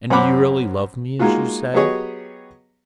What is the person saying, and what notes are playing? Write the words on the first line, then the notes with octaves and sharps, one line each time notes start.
"And do you really love me as you say?"
F#2 C4 C#4 F#5 B5 D6
G#3 A#3 D#4 F4 F#4
F#3 B3 G4 G#4 C#5 D#5